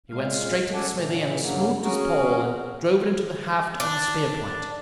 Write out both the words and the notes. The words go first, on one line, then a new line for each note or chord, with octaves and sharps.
He went straight to the smithy and smoothed his pole and drove it into the haft of the spear-point.
A#2 C#3 G#3 F5
C#4 A4 D5 F#5 G#5 A5
A#2 C#3 E3
G2 C#3 F#3 A#3
C#4 F#4 G#4 A#4
D4